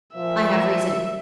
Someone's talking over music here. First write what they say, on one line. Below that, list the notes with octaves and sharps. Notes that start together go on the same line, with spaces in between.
I have reason.'
A#2 F3 E5